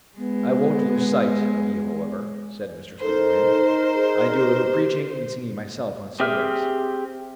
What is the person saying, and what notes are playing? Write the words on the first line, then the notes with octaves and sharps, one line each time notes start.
"I won't lose sight of you, however," said Mr. Sweetwilliam, "I do a little preaching and singing myself on Sundays."
G#3 B3
D#4 A4 A#4 C5
G#4
G4
C4 G4 G#4 E5 F6